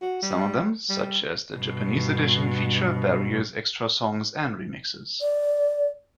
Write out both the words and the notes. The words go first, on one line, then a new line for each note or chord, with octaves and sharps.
Some of them, such as the Japanese edition, feature various extra songs and remixes.
F#4
G3
G3
G2 B2
D5